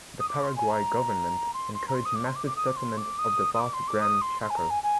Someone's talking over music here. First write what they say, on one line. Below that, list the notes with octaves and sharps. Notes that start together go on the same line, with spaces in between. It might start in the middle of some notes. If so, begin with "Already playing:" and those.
The Paraguay government encouraged massive settlement of the vast Gran Chaco.
D#6
D6
C6
G#5
A#5
C6
C6
A#5
C6
D#6
D6
C6
D6
D6
D#6
D6
C6
D6
D#6
D#6
D6
C6
D6
D#6
C6
C6
G#5
A#5
G#5
G#5